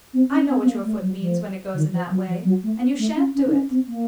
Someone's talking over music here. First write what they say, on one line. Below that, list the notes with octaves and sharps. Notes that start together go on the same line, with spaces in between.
I know what your foot means when it goes in that way; and you shan't do it.
C4
C#4
C4
C4
A#3
A3
F#3
F3
D#3
F3
F#3
F3
F#3
A3
A3
C#4
C#4
D#4
C#4
C4
A#3